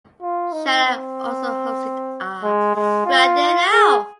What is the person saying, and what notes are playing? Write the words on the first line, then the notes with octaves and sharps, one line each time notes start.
Shannon also hosted a Where are they now?
F4
D#4
C4
G#3
G#3
F4
G#4